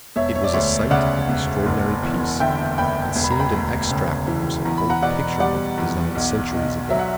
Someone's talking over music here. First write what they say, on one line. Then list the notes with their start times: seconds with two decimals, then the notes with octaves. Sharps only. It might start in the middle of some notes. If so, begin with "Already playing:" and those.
It was a sight of extraordinary peace, and seemed an extract from some old picture-book designed centuries ago.
0.16 E1 C#5 E5
0.35 C#5
0.44 D5
0.53 D2 C#5 E5
0.91 C#3 D5 F#5
1.29 E1
1.66 F#1
2.03 E2
2.40 D3 E5 G5
2.78 F#1 G5 B5
3.16 E1
3.24 B5
3.31 A#5
3.39 G5 B5
3.53 D2
3.90 C#3
4.28 E3
4.65 E2 A#5
4.77 B5
4.90 F#5 A#5
5.02 B2 D5 F#5
5.40 G3 D5 F#5
5.78 E2
6.15 B1
6.53 B2
6.90 F#3 E5
6.99 F#5